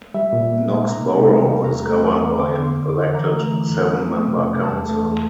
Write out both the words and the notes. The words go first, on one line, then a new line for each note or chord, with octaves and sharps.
Knox Borough is governed by an elected, seven member council.
G3 E5
A#2
A#3
A#3
C3 A#5
C3
G3
G3
E2 A#5
A3
E2
E2
D3 D6
D3
C6
F2
D6
D3
E3 A#5
A3
E3
F2
F3
A3
C3
F2
E2 A5
A3
E2